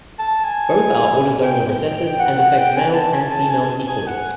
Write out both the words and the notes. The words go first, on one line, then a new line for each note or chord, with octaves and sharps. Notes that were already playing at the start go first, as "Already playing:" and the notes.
Both are autosomal recessive and affect males and females equally.
A5
G#5
G5
F#5
F#5
G5
G#5
A5
G#5
A5
G#5
G#5
F#5